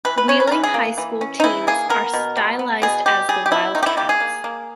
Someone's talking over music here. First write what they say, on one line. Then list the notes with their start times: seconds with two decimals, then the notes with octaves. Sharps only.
Wheeling High School teams are stylized as the Wildcats.
0.05 E3 B4
0.18 B4
0.28 C#4 C#5
0.40 B4
0.47 A#4
0.51 E3 B4
0.63 G#4
0.74 A#3
0.98 E3
1.21 C#4
1.40 D#4
1.44 E3 E4
1.67 A#3 G#4
1.89 B3 A#4
2.14 B2
2.37 G3
2.59 B3
2.82 B2 G#4
3.06 B2 G4
3.29 G3 G#4
3.46 G4
3.51 B2 E4
3.75 D#3 D#4
3.83 G4
3.86 E4
3.97 A#3 G4
4.09 G#4
4.20 A#3
4.44 A#3